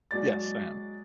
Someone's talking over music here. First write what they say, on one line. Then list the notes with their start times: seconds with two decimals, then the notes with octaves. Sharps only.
Yes, I am.
0.11 F#3 G#3 D5 A6